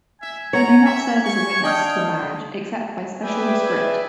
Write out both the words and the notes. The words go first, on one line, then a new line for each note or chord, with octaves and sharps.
They may not serve as a witness to a marriage except by special rescript.
E5 G#5
C#5 A#5
E5
C#6
D4 D#5 F5 G5
G#4 B4 D5 E5 G5 G#5